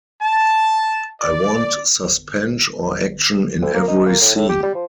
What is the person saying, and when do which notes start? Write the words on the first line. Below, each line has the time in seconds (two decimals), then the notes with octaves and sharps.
'I want suspense or action in every scene.
0.22 A5
1.21 D5
3.62 D2
3.74 A#3
3.88 D#4
4.06 A#3
4.21 A2
4.35 A2
4.49 G4
4.63 G3
4.75 F3